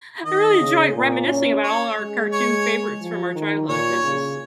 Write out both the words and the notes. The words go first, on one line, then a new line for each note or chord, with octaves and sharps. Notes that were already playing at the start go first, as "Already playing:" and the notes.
I really enjoy reminiscing about all our cartoon favorites from our childhood. This is
D#3 D#5
C#3
A#2
C#4
C#5
G#3
C#5
F3
D#3
A#2 C#5
C#3